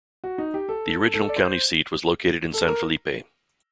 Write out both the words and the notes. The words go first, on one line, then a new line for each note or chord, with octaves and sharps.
The original county seat was located in San Felipe.
F#4
D#4
G4
A4
A4
D5
C5
A4
A#4